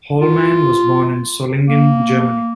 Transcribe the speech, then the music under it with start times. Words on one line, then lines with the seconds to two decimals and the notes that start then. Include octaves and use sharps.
Hollmann was born in Solingen, Germany.
0.21 F4
1.68 A#3